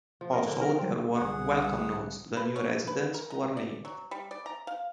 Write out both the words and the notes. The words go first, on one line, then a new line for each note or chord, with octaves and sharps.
Also there were welcome notes to new residents who were named.
F3
A#4
D3
A#4
C4
C2 D3 G#4 F#5
B4
C#5
B4
A#4
A#5
D5
F#3
G3
D5
A#5
F5